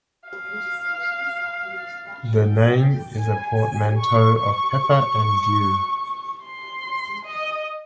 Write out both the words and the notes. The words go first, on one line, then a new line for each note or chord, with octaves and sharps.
The name is a portmanteau of 'pepper' and 'dew'.
F5
G5
G#5
C#6
C#6
C6
D#5